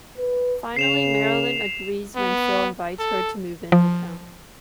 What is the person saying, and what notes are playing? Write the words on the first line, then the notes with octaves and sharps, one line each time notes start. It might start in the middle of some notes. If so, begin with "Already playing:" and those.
Finally, Marilyn agrees when Phil invites her to move in with him.
B4
C#3 C7 E7 F7
B3
A4
F3